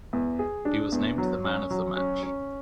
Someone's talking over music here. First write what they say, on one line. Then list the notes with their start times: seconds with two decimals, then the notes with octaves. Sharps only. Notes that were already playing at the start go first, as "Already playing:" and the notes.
He was named the Man of the Match.
0.13 E2
0.39 G#4
0.65 D4
0.92 E2
1.18 F#3
1.44 C#4
1.71 F#3
1.96 C#4
2.23 C#4